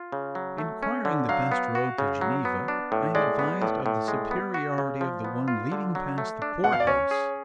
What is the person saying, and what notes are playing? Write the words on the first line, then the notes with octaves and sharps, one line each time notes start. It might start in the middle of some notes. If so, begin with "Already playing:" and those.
Inquiring the best road to Geneva I am advised of the superiority of the one leading past the poor-house.
Already playing: F4
C#3
F#3
A3
C#4
D3
F#3 F5
B3
F#4
C#3
F#3
B3
D4
A2
G#3 D5
B3
A2
A2
G#3
B3
F#4
C#3
F3
B3
F4
D3
F#3
A3
D4
B2 F#5
F5
D5
C#4 C#5
G#4